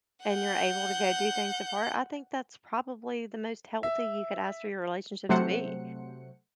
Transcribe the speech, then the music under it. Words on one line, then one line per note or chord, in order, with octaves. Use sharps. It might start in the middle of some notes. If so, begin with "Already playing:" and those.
and you're able to go do things apart, I think that's probably the most healthy you could ask for your relationship to be.
F#5 G6
E5
C3 F#3 A3 C5 F#5 C#7